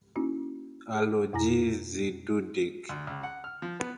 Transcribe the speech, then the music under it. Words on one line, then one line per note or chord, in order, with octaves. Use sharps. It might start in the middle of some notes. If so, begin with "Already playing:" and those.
Alojzy Dudek.
A#3 C#4 D#4 E4 F#4
G#4
F2 B2 E4 G#5 A#5 A#6
D2
C#2
F#5
F6
F3
B3